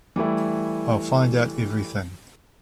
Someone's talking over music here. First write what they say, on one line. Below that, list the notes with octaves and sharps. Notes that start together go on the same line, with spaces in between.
I'll find out everything.
E3 G3 A3 E4